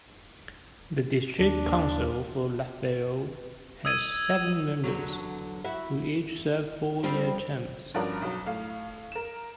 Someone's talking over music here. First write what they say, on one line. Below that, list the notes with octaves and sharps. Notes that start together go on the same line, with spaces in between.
The district council for Lat Phrao has seven members, who each serve four-year terms.
D#2 D4
D#6 E6 G#6 D#7
E2 D3 F#3
E4 F#4 E5
F3 G3 C4
G2 F3 C#4 D4 F#4 A#4
B1 F#3
A2 F5
A#4 E7